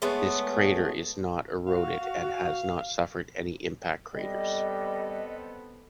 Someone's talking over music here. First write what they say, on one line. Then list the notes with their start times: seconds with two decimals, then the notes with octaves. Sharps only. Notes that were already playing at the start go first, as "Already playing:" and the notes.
This crater is not eroded and has not suffered any impact craters.
0.02 G#3 A3 B3 C#5
1.67 F#4 F5
4.15 G3 B3 C4 A4 D#5